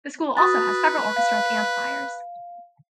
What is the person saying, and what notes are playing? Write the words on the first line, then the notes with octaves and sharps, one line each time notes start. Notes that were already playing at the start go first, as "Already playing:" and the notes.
The school also has several orchestras and choirs.
F#4 B4 D#6 A6
F5